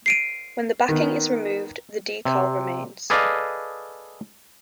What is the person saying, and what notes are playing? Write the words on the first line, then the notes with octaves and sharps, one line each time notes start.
When the backing is removed, the decal remains.
C7 D7 D#7
D#3 B3
C3
G#4 A4 B4 D5 D#5 F5